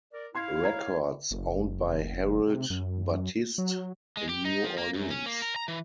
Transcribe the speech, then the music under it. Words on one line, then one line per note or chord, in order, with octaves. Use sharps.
Records owned by Harold Battiste in New Orleans.
A#4 D5
E4 F5 C6 G#6 C7
C#5 A#5 G#6
F#1
C3
F#2
F#3
G#3
G4
D#4
F3
A#3
F#2
C#4
A#3
A#4
A#5
E3